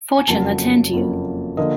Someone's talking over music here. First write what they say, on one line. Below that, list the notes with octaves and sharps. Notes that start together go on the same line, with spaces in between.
Fortune attend you !
G#5
F#1 F2 C#3 F#3 A#3 A5
F#1 F2 C#3 F#3 A#3
D3 F3 A#3 D4 D#5